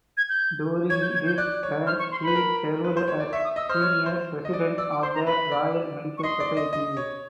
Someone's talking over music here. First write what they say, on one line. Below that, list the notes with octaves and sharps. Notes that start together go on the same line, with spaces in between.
During this time he served as senior president of the Royal Medical Society.
G#6
G6
C#5 G#6
G6
G#6
G6
D5 F#6
C#5
C5 F6
C#6
C6
B4 B5
A#4
B4
C5
C#5
D5
E5 C#6
D#6
D#5 E6
C5 F6
C#5
C5
D#5
D5
D5 E6
D6
C5 C6
A#5
B4 B5
D5
C#6
D#5 C6
D5
D#5
D#5
C#5